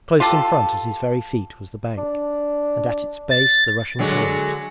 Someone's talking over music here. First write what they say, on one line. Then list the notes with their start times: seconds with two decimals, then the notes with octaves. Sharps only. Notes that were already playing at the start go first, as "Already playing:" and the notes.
Close in front at his very feet was the bank, and at its base the rushing torrent.
0.20 F4 G4 A4
1.98 D4
3.30 A6
3.99 D3 F#3 G#3